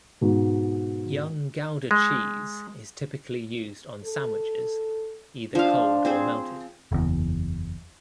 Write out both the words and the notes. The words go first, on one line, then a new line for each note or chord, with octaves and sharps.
Young Gouda cheese is typically used on sandwiches, either cold or melted.
G#2 B2
G#3
A4
F3 D4 F5
C4 G#4 C5
F#1 E2